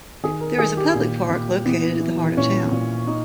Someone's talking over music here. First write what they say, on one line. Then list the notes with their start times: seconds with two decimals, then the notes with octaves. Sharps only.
There is a public park located in the heart of town.
0.24 D#3 G#4
0.41 A#4
0.58 D#3 G#4
0.77 G4
0.95 A#2
1.30 A#2
1.66 E3 B3
2.01 E3
2.37 A#2 C#4
2.72 A#2
3.07 D#4